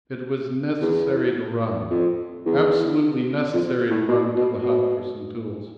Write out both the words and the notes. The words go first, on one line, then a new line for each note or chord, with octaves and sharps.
It was necessary to run, absolutely necessary to run to the hut for some tools.
E2
F2
E2
F2
A2
B2
B2
B2